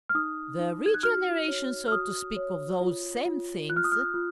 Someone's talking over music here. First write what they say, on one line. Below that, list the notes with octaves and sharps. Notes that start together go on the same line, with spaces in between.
"The regeneration, so to speak, of those same things."
F6
D#4 D#6
D#4
G#6
F#6
F#4 F6
C#5
F6
F#4 D#6
C#5
F4
F4
F4 F#6
F6
D#6
F6
F4